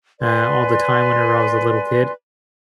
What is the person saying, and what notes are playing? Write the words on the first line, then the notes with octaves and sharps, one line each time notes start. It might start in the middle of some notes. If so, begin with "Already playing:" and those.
uh, all the time whenever I was a little kid,
B4 D5 G#5 C6